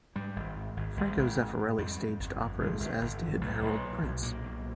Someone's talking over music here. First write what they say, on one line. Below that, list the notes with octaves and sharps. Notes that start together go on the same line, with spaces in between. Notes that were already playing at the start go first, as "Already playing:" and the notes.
Franco Zeffirelli staged operas as did Harold Prince.
G#2 G3
G#1
G#2
G#1
G#1 G#3
G#1
G#2
G#2
F2 G3
F2
G1
F2
G1 G#3
G1
G1
F2
B1 A3
B1
A#2
B1
A#2 A#3
B1